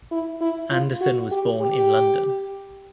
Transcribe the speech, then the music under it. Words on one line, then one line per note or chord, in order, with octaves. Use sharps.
Anderson was born in London.
E4
E4
F4
F#4
G4
G4